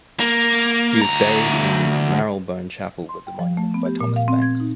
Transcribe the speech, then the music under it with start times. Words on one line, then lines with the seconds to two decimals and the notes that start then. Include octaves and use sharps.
He was buried in Marylebone Chapel with a monument by Thomas Banks.
0.20 A#3
1.01 D2 A#5
3.09 C6
3.27 G5
3.39 F3
3.57 A3
3.74 B3
3.86 G4
4.01 A#2
4.16 F5
4.28 C4
4.42 G#6
4.60 D#4